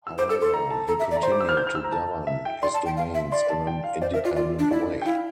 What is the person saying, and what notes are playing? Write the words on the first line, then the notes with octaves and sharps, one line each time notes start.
However, he continued to govern his domains in an independent way.
E6
C5 D6
A4 E6
A4 C6
A#5
A5
A4 A#5
E5
D5
A#5
C5 C6
D6
E6
F6
G6
F6
E6
A#5
A5
E5
G5
D5 C6
A5
G5
F5
E5
D5 C6
A5
G5
F5
C5 D5
A#4 E5
F4 D5
F4 D5
D4
E4 D5
G5
E4 F5